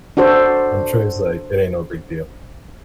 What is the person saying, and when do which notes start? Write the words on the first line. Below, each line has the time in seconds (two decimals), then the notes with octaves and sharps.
I'm sure he's like, "It ain't no big deal."
0.17 D4 F#4 A4 C5